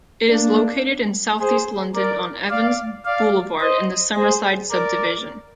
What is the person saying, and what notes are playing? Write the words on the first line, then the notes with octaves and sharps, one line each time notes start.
It is located in south-east London on Evans Boulevard, in the Summerside subdivision.
A#3 D4
G#4 C5
A#4 D5
D5 F5
D5 F5
C5 D#5
G#4 C5
A#4 D5